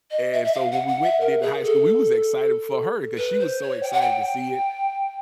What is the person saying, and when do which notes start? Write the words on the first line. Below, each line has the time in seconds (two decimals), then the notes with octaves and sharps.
and so when we went and did the high school, we was excited for her, 'cause she was so excited to see it,
0.11 D#5
0.33 E5
0.45 E5
0.54 F5
0.72 F#5
0.88 F#5
1.03 E5
1.21 A#4
1.42 G#4
1.64 A4
3.17 B4
3.40 C5
3.62 C#5
3.83 G5
3.92 F#5
4.01 G5